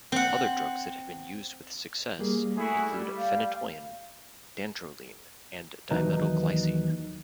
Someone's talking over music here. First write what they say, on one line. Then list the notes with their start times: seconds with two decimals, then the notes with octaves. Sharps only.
Other drugs that have been used with success include phenytoin, dantrolene, and dimetyl glycine.
0.12 C4 F#5
2.19 G3 A#3 G#4
2.57 A3 E4 F#4 G#4
2.89 G3
3.17 F5
5.91 D#2 E3 F#3 D#4 B4 A#5